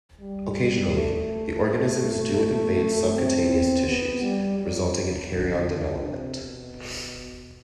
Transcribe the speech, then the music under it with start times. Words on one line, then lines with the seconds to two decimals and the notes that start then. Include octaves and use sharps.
Occasionally the organisms do invade subcutaneous tissues, resulting in kerion development.
0.20 G3
0.94 A3
3.13 C4
3.86 B3
4.23 G3
4.59 F#3
5.32 D3
6.05 C3
6.42 B2